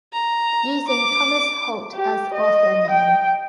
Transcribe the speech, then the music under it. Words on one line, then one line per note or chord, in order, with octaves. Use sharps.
Using Thomas Holt as author name.
A#5
D6
G4
D#5
G5